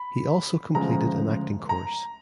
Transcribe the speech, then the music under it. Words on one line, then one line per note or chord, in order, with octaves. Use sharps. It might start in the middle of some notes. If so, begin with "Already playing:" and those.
He also completed an acting course.
Already playing: B5
D2 C#3 F3 G#3 A#5
A#5